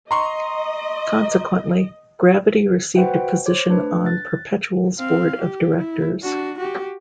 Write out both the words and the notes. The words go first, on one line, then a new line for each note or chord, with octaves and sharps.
Consequently, Gravity received a position on Perpetual's board of directors.
D#5 A#5 C6 C#6
F#4 B4 C5 E5 F#5 G5
C5 C#5 D6
A3 D4 B4
F#6 A6
C4 F5
G4
E4
D4 F#4
F#4 G4